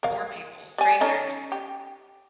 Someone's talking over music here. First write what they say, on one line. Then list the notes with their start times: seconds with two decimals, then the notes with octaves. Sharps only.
poor people, strangers,
0.03 A#4 F5
0.78 G3 G#5
1.01 C#4 D#4 A4
1.52 G4